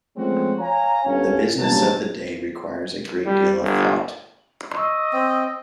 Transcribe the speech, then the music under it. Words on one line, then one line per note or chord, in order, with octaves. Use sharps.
The business of the day requires a great deal of thought.
F3 G#3 A3 C4 C#4 F#4
C#5 F5 G#5 A#5
G1 C#4
A1 G2 A#2 F#3 C#4 A5
G3
G1
D#5 C#6 E6
C4